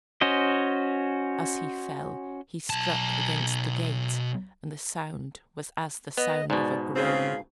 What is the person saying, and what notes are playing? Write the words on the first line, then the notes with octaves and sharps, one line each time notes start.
As he fell he struck against the gate, and the sound was as the sound of a groan.
C#4 F#4 C5 D#5
B1 A5
B3 D#5
G#2 B2 D5
C#3 C4 F4 F5